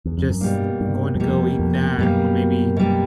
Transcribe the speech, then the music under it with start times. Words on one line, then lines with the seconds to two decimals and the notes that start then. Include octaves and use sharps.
just going to go eat that, or maybe,
0.05 E2
0.18 F2
0.30 F#2
0.41 G2 B2 G3 A#3
0.81 G2
1.15 F#2
1.20 F2 B2 G3 A#3
1.59 F2
1.98 F#2 B2 G3 A#3
2.77 B2 G3 A#3